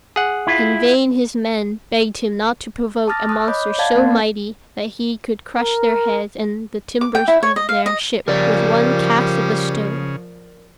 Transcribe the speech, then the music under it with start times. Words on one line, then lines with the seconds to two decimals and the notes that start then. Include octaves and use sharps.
In vain his men begged him not to provoke a monster so mighty that he could crush their heads and the timbers of their ship with one cast of a stone.
0.16 G#4 F#5
0.47 E4 F4
3.07 A5 D6 D#6 F6 A6 A#6
3.29 D#6 F#6
3.48 C#5 D#5 B5 D6 G6
3.78 D5 F5 F#5 A5 G#6 A6
3.96 A#3 C4 A#4
5.56 A#4
7.01 D6
7.15 G5
7.28 E4
7.43 C#5
7.56 D#5
7.69 F5
7.86 D#5
8.28 C#3 F3 G3 A#4 D5